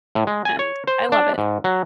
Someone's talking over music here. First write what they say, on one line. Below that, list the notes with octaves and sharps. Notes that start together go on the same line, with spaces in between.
and I love it.
A2
G#3
G#5
C#5
C5
D4
G#2
F#3